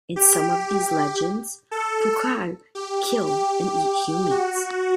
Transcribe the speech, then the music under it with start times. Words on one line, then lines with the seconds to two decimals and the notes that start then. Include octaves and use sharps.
In some of these legends pouakai kill and eat humans.
0.16 G4
1.71 A4
2.75 G4
3.27 G4
4.31 F#4